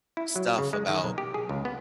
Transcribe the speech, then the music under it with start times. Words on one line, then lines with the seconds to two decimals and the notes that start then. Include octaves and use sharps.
stuff about
0.17 E4
0.36 F#3
0.58 C#3
0.73 G#3
0.88 D#3
1.04 B1
1.18 G4
1.34 G#4
1.49 C#2
1.65 B3